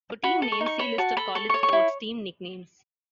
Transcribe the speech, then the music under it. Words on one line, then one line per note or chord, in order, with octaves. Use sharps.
For team names, see List of college sports team nicknames.
F#4 B5
A4
C#6
D#4
C#6
C#5 B5
F#4 A5
A4 B5
A4 C#6
C#6
C#5
C#6
E4